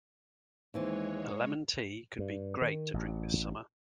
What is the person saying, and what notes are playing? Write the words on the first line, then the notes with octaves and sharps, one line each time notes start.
A lemon tea could be great to drink this summer.
D#2 E3 G#3 C4 C#5
G2
D#3
A1